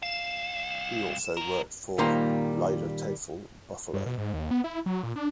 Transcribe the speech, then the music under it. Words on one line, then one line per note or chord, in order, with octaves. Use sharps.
He also worked for the "Liedertafel" Buffalo.
C2 F5 E7
B2 A#4
A#2 D#3 G3 A#3 C5 C6
G2
B2
G#2
D#2
B3
E4
F#3
A#2
D4